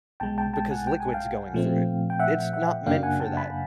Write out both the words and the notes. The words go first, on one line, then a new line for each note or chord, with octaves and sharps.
because liquids going through it. It's not meant for that.
B1 B2 G#3 G5 A5
G5 A5
G5 A5
F#5 G#5
G5
G#5
F5 G5
A#2 F3 A3 C4
G5
E5 F#5
E5 F#5
F#2 C#3 F#3 A#3 D4 F5 G5
F#5 G#5
G5 A5
A5 B5